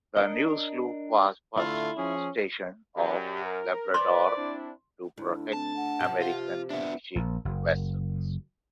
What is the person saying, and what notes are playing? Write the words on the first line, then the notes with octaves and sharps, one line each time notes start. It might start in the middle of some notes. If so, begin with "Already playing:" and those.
The new sloop was first stationed off Labrador to protect American fishing vessels.
D4 A#4 D#5
D3 A3 E4 F4
F3 C#4 G#4
F#2 G4 D5
A#4
B4 C5 D5 C6
C4 D4 E4
D2 E4
C4 A5
F#5
C3 F3
F4
B3 D4 E5
A#1
F#1